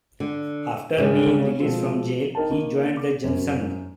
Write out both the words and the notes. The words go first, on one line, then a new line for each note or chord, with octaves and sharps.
After being released from jail he joined the Jan Sangh.
D3
G#2 C#3 G3 G#3
B2 F3 G#3 C4 F4
D#4 A#4 G5 A5
D#3 A#3
D6
F#2 C#4 C5